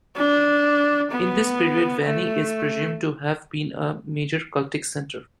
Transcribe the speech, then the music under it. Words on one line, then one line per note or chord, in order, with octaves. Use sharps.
In this period Vani is presumed to have been a major cultic centre.
D4
B3
A3